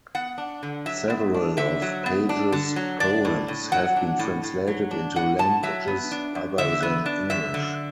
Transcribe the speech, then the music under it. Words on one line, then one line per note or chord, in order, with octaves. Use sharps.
Several of Page's poems have been translated into languages other than English.
B3 F#5
D4
D3
F#3 E5
B3
D4
D3 E5
F#3
B3
D4
D3
F#3
D4 D5
A2
A2
F#3 F#5
D4
A2
A2
F#3
D4
A2 F#5
A2 A5
F#3 E5
B3
D4
F#2
D3 E5
B3
D4
F#2 E5
D3